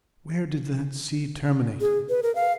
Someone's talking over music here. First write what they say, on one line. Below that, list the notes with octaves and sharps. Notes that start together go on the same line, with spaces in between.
Where did that sea terminate?
G#4
B4
A#4
F5